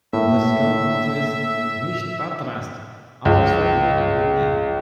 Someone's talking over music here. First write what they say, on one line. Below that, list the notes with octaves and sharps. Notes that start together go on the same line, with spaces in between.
The Scout Motto is "Misht Badrast", "Always Ready" in Armenian.
A2 A#3 E5
C#2